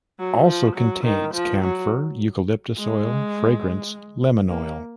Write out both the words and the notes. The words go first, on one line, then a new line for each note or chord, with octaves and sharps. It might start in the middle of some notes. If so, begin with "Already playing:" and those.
"Also contains:" Camphor, eucalyptus oil, fragrance, lemon oil.
F#3
F3
F#3
D#3
F3
F#3
G#3
A#3